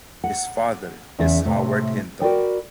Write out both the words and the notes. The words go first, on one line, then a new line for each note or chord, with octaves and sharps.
His father is Howard Hinton.
F#5
E2 C#3 E3 E5
A2 C3
F#4 A#4 B4 D5 G5